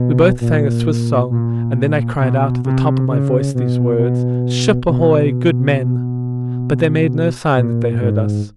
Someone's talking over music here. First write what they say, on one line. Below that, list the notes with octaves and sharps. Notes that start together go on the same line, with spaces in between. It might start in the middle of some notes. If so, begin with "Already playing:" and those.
We both sang a Swiss song, and then I cried out at the top of my voice these words: "Ship ahoy! good men!" But they made no sign that they heard us.
Already playing: B2
A#2
A#2
B2
C3
C#3
B2
B2
B2
A#2
G#2